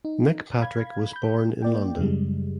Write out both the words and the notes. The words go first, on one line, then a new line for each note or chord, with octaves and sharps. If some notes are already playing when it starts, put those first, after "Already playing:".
Nick Patrick was born in London.
D#4
F5 B5 G#6
B5 G6
A#3 D5 G5
F#2 C#3 G3 G#3